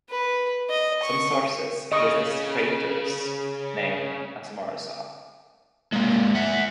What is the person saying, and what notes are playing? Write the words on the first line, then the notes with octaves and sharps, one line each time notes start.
Some sources list this crater's name as Morosov.
B4
D#5
C#6
C#3 D#5 C#6 D#6
G#3 A#3
E5 F#5